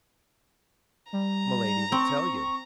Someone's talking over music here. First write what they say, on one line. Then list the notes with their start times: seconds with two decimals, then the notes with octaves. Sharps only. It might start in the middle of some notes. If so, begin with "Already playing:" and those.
"Milady will tell you."
1.13 G3 A#5
1.92 C4 C#6